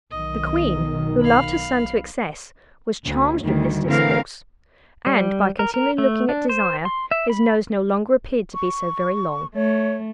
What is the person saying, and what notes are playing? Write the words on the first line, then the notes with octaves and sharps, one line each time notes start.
The Queen, who loved her son to excess, was charmed with this discourse; and, by continually looking at Desire, his nose no longer appeared to be so very long.
B1 D#3 D#5
F5 B5
D2
D2 D#3 G3
D3 E3 A3 C4 A#4 F5
G3
A#4
A#4
A3
D4
C5
C6
E5
B5
C#6
A3 C#5